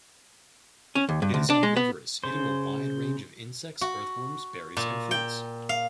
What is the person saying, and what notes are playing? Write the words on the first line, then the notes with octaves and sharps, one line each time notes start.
It is omnivorous, eating a wide range of insects, earthworms, berries, and fruits.
C#4
D#2
G2
D2
D4
G#3
B3
C#3 C5
F#4
A#2
G5
F5